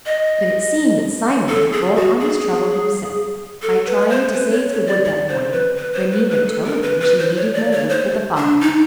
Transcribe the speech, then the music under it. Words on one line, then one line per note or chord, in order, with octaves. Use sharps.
But it seemed that Simon had brought on his trouble himself by trying to save the wood that morning when Nina told him she needed more wood for the fire.
D#5
A4
G#4
F#4
G#4
A4
B4
C5
B4
C#5
C#5
D5
D5
C5
B4
B4
C5
B4
B4
A4
A#4
B4
B4
C5
C#5
D5
C#5
C5
D4
D#4